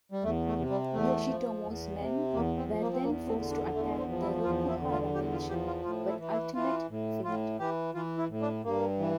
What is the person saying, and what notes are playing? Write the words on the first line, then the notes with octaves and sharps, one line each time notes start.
Yoshitomo's men were then forced to attack the Rokuhara mansion, but ultimate failed.
G3
E2 A3
A3
C3
G3
E2 A3
F3
E2
C3
E2 A#3
C4
F3
A#3
C4
E2 A#3
C4
D3
D4
E2 A3
C4
F3
E4
E2 F4
E4
D3
F4
E2 G4
F4
F3 G4
F4
A2 F4
E4
E3
E4
E3 F4
A2
A2 F4
E3 G4
E3 F4
E4
A2
D4
G2 A#3
E3